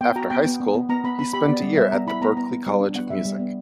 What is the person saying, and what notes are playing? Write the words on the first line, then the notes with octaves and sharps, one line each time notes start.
After high school, he spent a year at the Berklee College of Music.
B3 G5
F#4 A#5
B3 G5
B3
B3
B3
B3 A#5
B3 B5
B3 B5
G4 B5
B3 D5
G3
G3 E5
B3 A#5
E4 B5
B3 A#5
B3 A#5
B3
G3
D4
B3 F#5
G3 E5
G3
B3